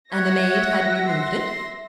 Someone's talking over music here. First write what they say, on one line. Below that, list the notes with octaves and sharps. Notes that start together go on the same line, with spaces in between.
"And the maid had removed it?"
C#5 E5 F#5 F#6 A#6
C6